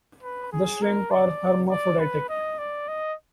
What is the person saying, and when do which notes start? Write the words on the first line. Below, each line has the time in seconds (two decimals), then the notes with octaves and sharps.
The shrimp are hermaphroditic.
0.23 B4
0.52 G#4
0.82 A#4
1.11 D5
1.70 D5
1.99 B4
2.29 D#5
2.58 D5
2.88 D#5